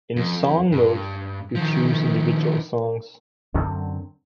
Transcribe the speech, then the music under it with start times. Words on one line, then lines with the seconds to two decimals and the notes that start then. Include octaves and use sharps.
In "song" mode, you chose individual songs.
0.16 F2
0.72 G2
1.55 D#3 F3
3.54 F#2 D3 F#3 C4